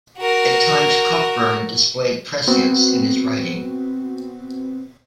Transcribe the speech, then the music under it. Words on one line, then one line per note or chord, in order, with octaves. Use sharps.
At times Cockburn displayed prescience in his writing.
F#4 A#4
B3 C4 F#4